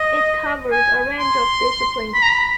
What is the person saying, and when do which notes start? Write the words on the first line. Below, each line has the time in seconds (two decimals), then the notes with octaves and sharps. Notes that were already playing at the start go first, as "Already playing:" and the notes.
It covered a range of disciplines.
Already playing: D#5
0.72 G#5
1.19 C6
2.14 B5
2.22 A#5
2.30 B5